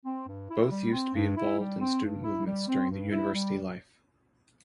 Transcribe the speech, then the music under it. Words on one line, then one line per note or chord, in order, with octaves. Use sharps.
Both used to be involved in student movements during the university life.
C4
G2
E4
G3
C4
G2
E4
G3
C4
G2
E4
G3
C4
G2
E4
G3